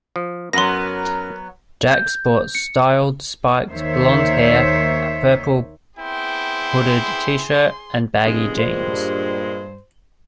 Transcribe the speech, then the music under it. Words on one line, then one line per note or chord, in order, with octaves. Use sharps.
Jak sports styled spiked blonde hair, a purple hooded T-shirt and baggy jeans.
F3
F#2 F#3 B3 A#4 F#5 C6 A#6
G6
C#7
D#2 D#3 C5 C#5 E5
B3 C4 E4 G#4 G5 C6
F1 G2 C#3 G#3 G#4
G2 A#2 C5